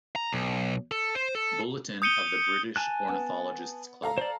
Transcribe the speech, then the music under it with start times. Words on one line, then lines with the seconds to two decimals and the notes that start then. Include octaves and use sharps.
Bulletin of the British Ornithologists' Club.
0.16 A#5
0.33 B1
0.92 A4
1.15 C5
1.35 A4
2.02 D#6 G6 C#7 D#7 G7
2.76 G#5 A5 F#6
3.08 B3
4.03 A4 F5 A#5
4.18 C5 D5